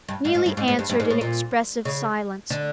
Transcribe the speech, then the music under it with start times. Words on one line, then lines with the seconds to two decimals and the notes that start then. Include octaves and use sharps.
Neelie answered in expressive silence.
0.09 G2
0.25 G#2
0.35 G#2
0.46 G2
0.57 G#2
0.68 G#2
0.79 G2
0.89 G2
1.00 G#2
1.10 A2
1.21 A#2
1.85 C#3
2.50 D3